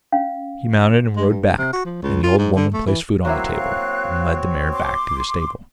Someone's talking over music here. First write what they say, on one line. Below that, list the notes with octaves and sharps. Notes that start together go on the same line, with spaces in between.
He mounted and rode back, and the old woman placed food on the table, and led the mare back to the stable.
C#4 F5
G#3
G2
C3
F#4
F3
C#2
F4
G#2
D3
A3
E3
F#3 A#3 C4 E4 F#4 C#5 F5 F#6
C6 D6